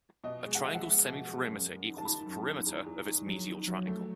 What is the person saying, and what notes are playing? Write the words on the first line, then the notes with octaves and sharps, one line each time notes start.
A triangle's semiperimeter equals the perimeter of its medial triangle.
B2 D#5
G#3
F#5
G#3 E5
F#5
G#3
B2
G#3
F#2
F#2
D#3
A5
D#3 B5
F#2
D#3
E2
E2
D#3
F#3
D#3
F#3
A3